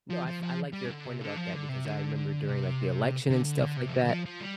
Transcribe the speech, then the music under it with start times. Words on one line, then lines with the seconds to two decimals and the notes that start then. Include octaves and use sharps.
No, I th I like your point about that because I remember during like the election and stuff like that,
0.10 F3
0.26 F3
0.42 F3
0.73 G3
0.86 C3
0.90 D3
1.05 C3
1.21 D3
1.37 F3
1.53 D3
1.69 C3
1.85 D3
2.49 C3
3.30 D3
3.45 D3
3.58 C3
3.62 D3
3.77 C3
3.88 F3
3.93 D3
4.04 D3
4.09 F3
4.26 F3
4.41 G3